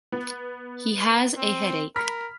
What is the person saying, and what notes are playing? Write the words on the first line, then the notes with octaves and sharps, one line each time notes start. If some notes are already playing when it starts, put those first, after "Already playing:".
He has a headache.
B3
C4
A#4 B5 F6 B6